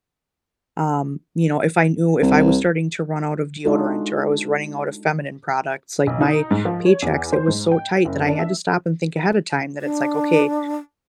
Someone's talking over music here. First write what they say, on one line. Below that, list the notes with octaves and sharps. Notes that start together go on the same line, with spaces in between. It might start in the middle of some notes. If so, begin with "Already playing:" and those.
um, you know, if I knew if I was starting to run out of deodorant or I was running out of feminine products, like my paychecks, it was so tight that I had to stop and think ahead of time that it's like, "Okay,
C2
G#3 D4 D#4 F4 F#4 A4
B1
D#4
G#2
F3
C#5
E2
C5
G#2
G5
F#1
D4
E5
D4